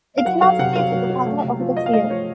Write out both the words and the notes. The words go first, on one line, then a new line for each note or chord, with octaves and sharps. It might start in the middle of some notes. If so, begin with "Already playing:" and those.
It demonstrated the power of the few.
F5
F#3 F#5
F#3 F5
C3 F#5
F#3 F5
F#3
F#3
A3
C3
F3
F3 D#5
F5
A3 D#5
F3 C#5